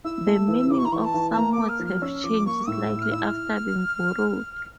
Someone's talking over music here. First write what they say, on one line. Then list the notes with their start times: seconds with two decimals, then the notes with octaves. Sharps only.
The meaning of some words have changed slightly after being borrowed.
0.04 E4 E6
0.27 A3
0.48 E3
0.70 E4 D6
0.78 C#6
0.85 A#5
0.92 E3 C#6
1.04 A5
1.14 E3
1.31 A5
1.36 A#3 A#5
1.52 D6
1.58 A#3
1.68 F6
1.80 F3
1.86 F6
2.02 C#4 E6
2.23 F3 D6
2.46 A#3 C#6
2.68 A2 E6
2.90 E4
3.01 F6
3.12 E4 E6
3.23 F6